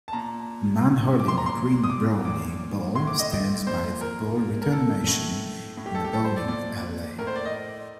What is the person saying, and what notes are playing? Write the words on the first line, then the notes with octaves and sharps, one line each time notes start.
A man holding a green bowling ball stands by the ball return machine in a bowling alley.
A5
A#2 A#5
A#2
D6
C6
A#5
C6
A#2
D#6
D6
A#2 D6
A2 C6
D6
D#5
D#5
A#2 C5
A#4
A#2
A#4
A4
A2
A2
G4
A4
G4
A4
C5
D5
A#2 D5
A2 A#4
C5
D5
D#5